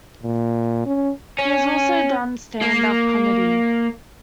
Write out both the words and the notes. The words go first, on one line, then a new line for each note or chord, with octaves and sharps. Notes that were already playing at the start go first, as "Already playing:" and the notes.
He has also done stand-up comedy.
A#2
C#4
C#4
A#3